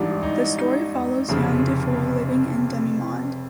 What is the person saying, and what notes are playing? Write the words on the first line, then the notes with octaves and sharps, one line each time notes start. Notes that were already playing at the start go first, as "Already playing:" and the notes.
The story follows young DiFool living in demimonde.
Already playing: A1 G#2 E3 G3 D4
D#4
D#4
F1 F2 C#3